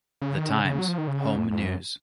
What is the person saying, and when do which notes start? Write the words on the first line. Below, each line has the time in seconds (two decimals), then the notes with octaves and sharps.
"The Times", home news.
0.22 C#3
0.36 D#3
0.50 C#3
0.65 C#3
0.79 F#3
0.88 F3
0.98 D#3
1.08 C#3
1.36 F2
1.50 F2
1.65 F#2